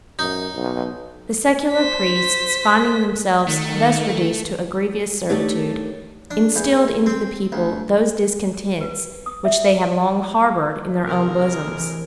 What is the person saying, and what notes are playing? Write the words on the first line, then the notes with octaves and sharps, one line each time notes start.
The secular priests, finding themselves thus reduced to a grievous servitude, instilled into the people those discontents which they had long harbored in their own bosoms.
F#2 D#4
B1
C5 B6
D#3 A3
A3 D4 D#4 G4 A4 C#5
D4
E2
C4
D2
B4
D#6
E5
D2 C3 G#3 A#4
C3 E3